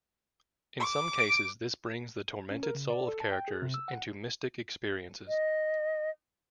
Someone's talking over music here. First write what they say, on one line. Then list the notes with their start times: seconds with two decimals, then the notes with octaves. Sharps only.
In some cases this brings the tormented soul of characters into mystic experiences.
0.80 D6
1.19 D7
2.51 C#4
2.63 A#4
2.75 C#3
2.90 D5
3.08 A4
3.20 A5
3.32 G5
3.48 G#4
3.62 C3
3.74 E6
3.88 F#5
5.28 D#5